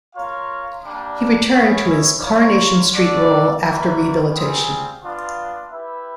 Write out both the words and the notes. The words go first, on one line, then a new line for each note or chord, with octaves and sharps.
He returned to his "Coronation Street" role after rehabilitation.
F4 A#4 C#5 F5
G3 A#3 D4
C#4 E4 G#4 C#5
F4 A#4 C#5
F#4 A4 D5
A#3 D4 F#4 B4 E5
G3 C4 F4 G#4
B3 D4 F4
E4 G4 B4 E5